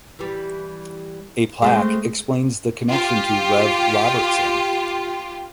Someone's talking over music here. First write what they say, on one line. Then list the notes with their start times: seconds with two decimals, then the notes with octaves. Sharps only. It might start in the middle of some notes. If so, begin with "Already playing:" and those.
A plaque explains the connection to Rev Robertson.
0.19 E3 G3
1.62 G#3 A3 C4
2.89 F4 G4